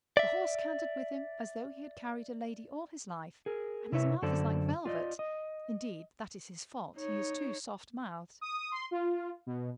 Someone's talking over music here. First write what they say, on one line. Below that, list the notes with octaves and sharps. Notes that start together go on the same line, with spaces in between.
"The horse cantered with him as though he had carried a lady all his life, and his mouth is like velvet; indeed, that is his fault--he is too soft-mouthed."
D5 E5
G#4 A#4
C3 E4 B4 C#5 E5
F#2 D3 A4 C5 D5 A5
F4 D5 D#5
D#5
D#4 C#5
D#6
C6
F4
B2